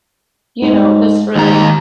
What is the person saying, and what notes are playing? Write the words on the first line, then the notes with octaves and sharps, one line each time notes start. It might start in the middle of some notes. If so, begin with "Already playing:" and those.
you know, "this really"
G#2
D#2 G#2 A#5